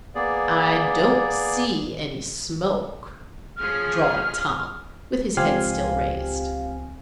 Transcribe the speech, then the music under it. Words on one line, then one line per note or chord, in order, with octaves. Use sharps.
"I, don't, see, any, smoke," drawled Tom, with his head still raised.
A#3 B3 G#4 D5
F3 C#4 G#4 F6
C#2 F3 C4 G4 F5 G#5